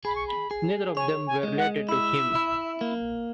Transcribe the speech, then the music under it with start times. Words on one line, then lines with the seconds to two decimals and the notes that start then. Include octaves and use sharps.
Neither of them were related to him.
0.05 G#4 B5
0.15 C#6
0.27 B5
0.51 G#4
0.97 C#5 G#5
1.27 G#5
1.43 G#3
1.58 F#5
1.89 E4 E5
2.35 E4
2.81 A#3